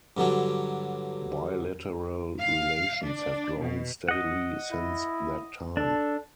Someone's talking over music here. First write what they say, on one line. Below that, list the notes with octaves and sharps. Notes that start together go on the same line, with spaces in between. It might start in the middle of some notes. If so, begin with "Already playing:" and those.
Bilateral relations have grown steadily since that time.
G2 D3 F#3 D4
F5
D4
B2
D#5 F#5
E4
D4 A4